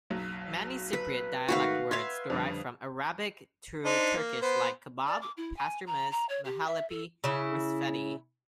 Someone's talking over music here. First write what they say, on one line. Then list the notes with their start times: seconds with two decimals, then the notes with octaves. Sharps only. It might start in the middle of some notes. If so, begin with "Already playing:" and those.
Many Cypriot dialect words derive from Arabic through Turkish like: "kebab, pastourmas, mahalepi, rusfeti".
0.10 F#1 B1 F#3
0.93 B4
1.48 G#2 D#3 A3 F#4 B4 F5
1.91 B4 E5 F5 C6 G#6
2.30 F2 D3 G3
3.85 D4 D#4 C5
4.16 A#3
4.42 B3 C5
5.06 D5
5.21 D6
5.37 E4
5.56 G#5
5.86 A#5
6.11 A#5
6.29 C#5
6.44 G4
6.66 E5
6.89 A4
7.24 C#3 E4